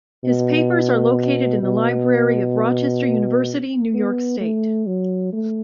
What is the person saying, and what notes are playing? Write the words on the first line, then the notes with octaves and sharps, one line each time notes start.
His papers are located in the library of Rochester University, New York State.
B2
B2
B3
A3
F#3
A3